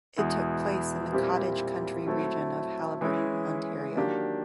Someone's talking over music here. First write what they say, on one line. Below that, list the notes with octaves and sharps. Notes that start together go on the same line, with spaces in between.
It took place in the cottage country region of Haliburton, Ontario.
E2 B2 G#3 B3 E4
A#2 G3 C4 E4 G4
F#3 A3 C4 E4 A4
E3 G#3 C#4 E4 G#4
D#3 F#3 A#3 D4 G4